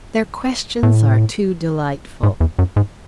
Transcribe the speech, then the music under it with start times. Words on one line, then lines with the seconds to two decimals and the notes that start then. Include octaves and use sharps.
Their questions are too delightful!
0.83 A2
2.23 G#2
2.40 E2
2.59 F#2
2.76 G#2